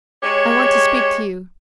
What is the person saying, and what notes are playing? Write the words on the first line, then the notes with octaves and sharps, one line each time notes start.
I want to speak to you.
G#3 G4 C#5